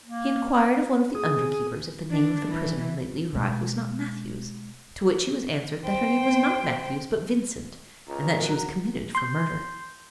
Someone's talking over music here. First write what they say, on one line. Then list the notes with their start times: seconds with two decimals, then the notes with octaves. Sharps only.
He enquired of one of the underkeepers if the name of the prisoner lately arrived was not Matthews; to which he was answered that her name was not Matthews but Vincent, and that she was committed for murder.
0.06 A#3
1.15 G#4 D#6
2.10 D4
2.50 E3
3.32 B2 G#3
5.86 C5 G5
8.07 C#2 A#5
8.40 F#3 A#4
9.15 C6 G6